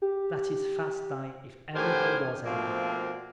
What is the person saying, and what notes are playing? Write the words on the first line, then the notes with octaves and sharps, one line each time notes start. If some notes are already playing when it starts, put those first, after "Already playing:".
That is fast dye if ever there was any.
G4
A2 D3 G4 A#4 C5 G#5
B2 F3 A3 A#3 C4 D4